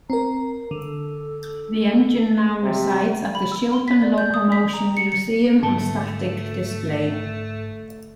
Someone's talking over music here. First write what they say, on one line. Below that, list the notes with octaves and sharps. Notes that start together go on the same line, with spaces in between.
The engine now resides at the Shildon Locomotion Museum on static display.
C4 A#4 A#5
D3 A4
C3
B5
E6
C6
B6
D5
G6
D#6
B6
A#5
C#7
C#7
G#2 D3 A3 A5